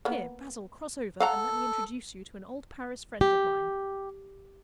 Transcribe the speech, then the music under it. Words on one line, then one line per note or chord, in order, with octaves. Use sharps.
Here, Basil, cross over, and let me introduce you to an old Paris friend of mine.
A#3 B3
A4 F5 F#5 A#5
G4